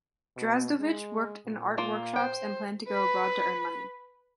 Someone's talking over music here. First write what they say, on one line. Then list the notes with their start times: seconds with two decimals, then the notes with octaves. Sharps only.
Drazdovich worked in art workshops and planned to go abroad to earn money.
0.36 B2
0.80 G#3
1.47 A#2
1.78 A#3 F4
2.16 C5 G5
2.87 B4 B5